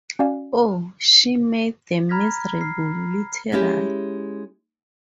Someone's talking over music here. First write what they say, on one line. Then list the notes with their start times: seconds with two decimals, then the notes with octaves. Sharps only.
Oh, she made them miserable, literally!
0.19 C#4 F#4 D5 F5 G#5
2.09 A#5 B5 F6 G#6 A#6 B6
2.61 F6 C7
3.52 G#3 C#4 E4 G4